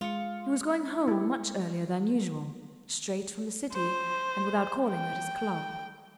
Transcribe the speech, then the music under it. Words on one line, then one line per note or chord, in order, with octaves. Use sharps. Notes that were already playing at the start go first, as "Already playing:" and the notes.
He was going home much earlier than usual, straight from the City and without calling at his club.
G#3 F4 C#7
E4 G4
C5
G5